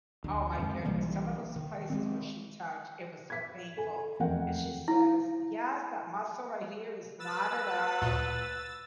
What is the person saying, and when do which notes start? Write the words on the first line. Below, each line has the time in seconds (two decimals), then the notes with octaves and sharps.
oh my goodness, some of those places where she touched, it was so painful, and she says, "Yes. That muscle right here is knotted up,"
0.24 D2
0.58 F2 D#3 G#3
0.85 B1 E3 G3 A#3
1.56 D#3
1.90 G#3 C4
3.30 G#6 B6
3.77 A4 G#5
4.19 E1 F2 A3 A#4 F#5 G5
4.88 E4
7.19 B4 E6 A6
8.02 D2 A#2